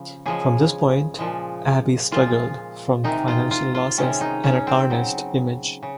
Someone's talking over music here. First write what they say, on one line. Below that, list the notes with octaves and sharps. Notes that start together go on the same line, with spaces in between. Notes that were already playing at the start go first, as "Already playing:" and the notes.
From this point, Abbey struggled from financial losses and a tarnished image.
Already playing: C#3 F3
C#3 F3 G#3 G#4
A#2 F3 G#3
A#2 F3 G#3 F4
C3 D#3 G#3 D#4
F4
F4
F4
C3 D#3 G#3 C#4
D#4
C#4
C4
C#3 F#3
C#3